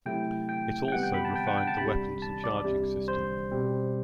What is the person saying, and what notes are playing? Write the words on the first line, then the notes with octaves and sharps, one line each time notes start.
It also refined the weapons and charging system.
C3 F#3 A3 E4 G5
G5
G5
C3 G3 B3 F#5
G5
B5
A5
G5
F#5
G5
A5
C2 C3 G3 D4 B5
A5
D5
C2 C3 G3 D4
C5
B2 G3 C4